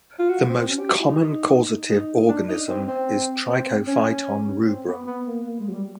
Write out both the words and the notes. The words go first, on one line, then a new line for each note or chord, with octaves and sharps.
The most common causative organism is "Trichophyton rubrum".
F4
F#4
C4
C#4
G4
F#4
E4
D#4
D#4
D4
D#4
C4
C4
C4
C#4
C4
B3
B3
A#3
A#3
G#3
F#3
G3